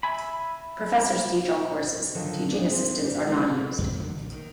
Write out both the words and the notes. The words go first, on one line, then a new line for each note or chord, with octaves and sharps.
Professors teach all courses; teaching assistants are not used.
E5 G#5 B5
D3 D#3 F3 F#3
A#3 D4 G#4
C4
B3 C#4 D4 G4 B4
D#3 F3 F#3 G#3 F4
B3 F#5
F2 D#3
D3 F#3 A3 A#3
A#1
D#3